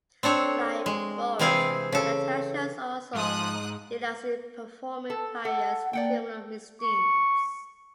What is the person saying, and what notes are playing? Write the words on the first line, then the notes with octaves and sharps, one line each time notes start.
Like Boris, Natasha also delights in performing various criminal misdeeds.
C4 D4 A4 C#5
G#3
C3 E3 C4 G#4 F5 G#5
C#3 A4
G#2 F3 D#6 F#6
A4
A4 F#5
A#3 D5 F#5 G5
C#6